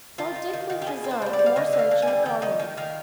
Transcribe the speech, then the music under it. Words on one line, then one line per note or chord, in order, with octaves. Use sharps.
For Dick was reserved more searching torment.
D#3 F4
D#4
D#3
D#3
G4
B2 G#4
C4
C5
G3 C5
D5
G3
F5
D3 D#5
D3
F5
D3
G#5
G3
D#3 G5
D#3 D#5
D#3 G5
D#3 F5